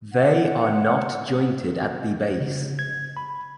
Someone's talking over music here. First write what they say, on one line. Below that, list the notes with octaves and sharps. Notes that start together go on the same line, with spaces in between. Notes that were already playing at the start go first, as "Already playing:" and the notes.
They are not jointed at the base.
F#5
C#3
G#6
B5